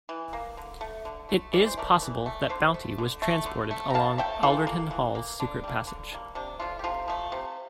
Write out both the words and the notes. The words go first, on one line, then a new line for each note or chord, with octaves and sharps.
It is possible that bounty was transported along Alderton Hall's secret passage.
E3
A#3
D3
A3
D3
A3
E3 D5
C5
A3 A#4 D5
E3
A3
D3 C5 E5
A3
D3
A3
D3
A3
A#5
D3 F5 A5
A3 E5 G5
E3 F4 A4
A#3
E3
A#3
D3 D4
G3 A#3
D3
G3 A#3
C3 D4
F3 A3 D4 F4
G4
C3 F4 A4
F3 A3
C3